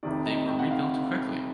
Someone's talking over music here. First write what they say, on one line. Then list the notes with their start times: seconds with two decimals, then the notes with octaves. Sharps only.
They were rebuilt quickly.
0.03 F1 F2 C3 D#3 D5
0.26 D#5
0.48 G5
0.59 F#5
0.71 F5